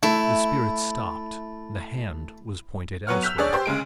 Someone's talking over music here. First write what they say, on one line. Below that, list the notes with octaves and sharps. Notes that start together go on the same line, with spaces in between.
The Spirit stopped; the hand was pointed elsewhere.
A3 E4
F#3 B3 C#5 F#5 F6
E6 F#6 G6 B6 F7
D4 G#4 C#5 D5
G4 C5 C6
D2 C#3 G#3 D7